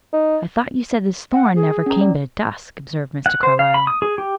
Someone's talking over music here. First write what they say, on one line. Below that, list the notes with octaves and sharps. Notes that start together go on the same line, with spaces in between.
"I thought you said this Thorn never came but at dusk," observed Mr. Carlyle.
D#4
F#5
G#4
C#4 A#5
D5
F#5
C5
F5
B5
D#6
G#4
G4